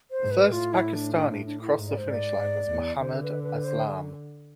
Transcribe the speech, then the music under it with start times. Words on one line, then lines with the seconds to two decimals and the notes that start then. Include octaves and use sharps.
The first Pakistani to cross the finish line was Mohammad Aslam.
0.11 C5
0.21 G#2
0.31 B4
0.52 A2 F4
0.73 E4
0.93 D4
1.14 D4
1.30 D4
1.46 D4
1.61 E4
1.78 G#2
1.88 D5
1.98 C5
2.08 G#2 D5
2.40 G#2
2.70 E2
3.01 D3 C5
3.16 A4
3.23 B4
3.43 B4
3.64 C5